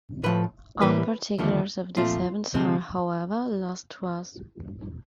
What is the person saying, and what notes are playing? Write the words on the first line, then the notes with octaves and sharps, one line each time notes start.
All particulars of these events are, however, lost to us.
A2 F3 A3 B4
A2 E3 G3 A#3 B4
D#2 D3 F3 A3
A#2 F3 A3 C4 F4
D2 C3 F3 G#3 C4